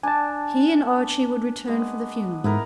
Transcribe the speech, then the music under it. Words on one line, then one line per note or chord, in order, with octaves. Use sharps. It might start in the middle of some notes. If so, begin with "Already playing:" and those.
He and Archie would return for the funeral.
D4 G#5 A5
G#3 B3
G#2 B3 E4 A#4